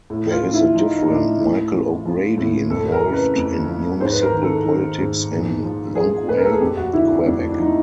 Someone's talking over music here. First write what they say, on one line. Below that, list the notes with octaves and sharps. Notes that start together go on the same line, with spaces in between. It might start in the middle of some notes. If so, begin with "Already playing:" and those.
There is a different Michael O'Grady involved in municipal politics in Longueil, Quebec.
A2
F4
F3
E4
F3 D#4
D#4
A2 D4
A2
F3
F3
A2
F2 A4
A#4
C#3
A#4
B4
F2
F3
G#2 C5
B4
A#4
D#3
A4
D#3
G#2
A#2
F3
F3 G#4
A#2 B4
A#4
A4
G#4
F2 G4
F#4
D3 E4
D4
F2 D4
D4
F3 D#4